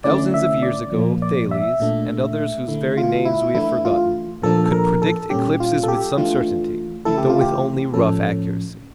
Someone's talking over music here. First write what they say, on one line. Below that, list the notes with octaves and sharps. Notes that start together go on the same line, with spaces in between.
Thousands of years ago, Thales, and others whose very names we have forgotten, could predict eclipses with some certainty, though with only rough accuracy.
D3 A3 C#4 E4 D5
E5
D5
A#2 F3 A#3
D5
E5
A#2 A3 D4
D3 A3 E4
F4
E4
E3 A3 D4 E4
F4
A#2 F3 A#3 D4 A4
A4
A#4
A4
A#2 G3 C#4 G4
F4
A4
G4
E3 A3 D4 F4
C#3 E3 A3 E4 A4
G4
F4
G4
A2 F3 C#4 A4